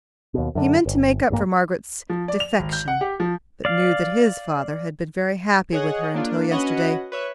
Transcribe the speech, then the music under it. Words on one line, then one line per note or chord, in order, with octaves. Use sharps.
He meant to make up for Margaret's defection, but knew that his father had been very happy with her until yesterday.
D#2 B2
F#2 D3
G1
A1 G2 A#3
F3
D5
F7
G#1
G6
F#5
G4
F3
D5 F5
G#4 C#5 D#5 F#5
A#3 D4 F4
C#4 F#4 B4 C#5 D#5 F#5
B4 C#5 E5